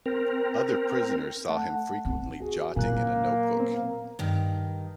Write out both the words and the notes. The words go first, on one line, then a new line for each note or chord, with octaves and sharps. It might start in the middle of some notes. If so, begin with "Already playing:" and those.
Other prisoners saw him frequently jotting in a notebook.
C4 A#4
A3 F#5 A5
C4
F#4 G#4
A#2 F#3 A#3 G#5 F#6
B3 C4
G2 D#3